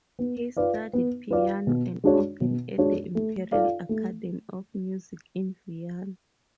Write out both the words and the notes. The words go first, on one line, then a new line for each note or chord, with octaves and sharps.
He studied piano and organ at the Imperial Academy of Music in Vienna.
B3
F4 B4 D5 F5
B3
F4 B4 D5 F5
B2
G#3 D4 F#4 C#5
B2
G#3 D4 F#4 C#5
A3
F4 A4 D5 F5
A3